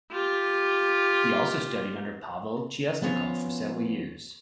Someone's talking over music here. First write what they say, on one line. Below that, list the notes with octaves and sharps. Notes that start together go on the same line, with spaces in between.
He also studied under Pavel Chistyakov for several years.
F4 G4
F3 B3 C#4 C5 C#5